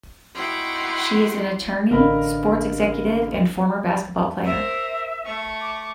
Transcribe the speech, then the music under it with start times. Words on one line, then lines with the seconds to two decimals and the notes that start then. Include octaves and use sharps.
She is an attorney, sports executive, and former basketball player.
0.35 D#4 E4 F#4 F#5 G5 C6
1.90 A1 D3 A#4 D#5 F5 B5
4.45 A#4 C5 E5
5.25 A3 C#6
5.61 D6